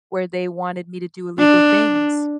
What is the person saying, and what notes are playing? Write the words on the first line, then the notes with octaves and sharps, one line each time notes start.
where they wanted me to do illegal things.
D4